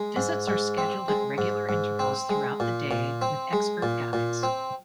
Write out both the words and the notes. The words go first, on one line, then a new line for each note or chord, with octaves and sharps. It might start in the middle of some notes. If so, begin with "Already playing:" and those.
Visits are scheduled at regular intervals throughout the day with expert guides.
Already playing: G#3
G#2
G#2
C4
G#3
G#2
G#2
C4
G#3
A#2
A#2
C4
G#3
A#2
A#2
C4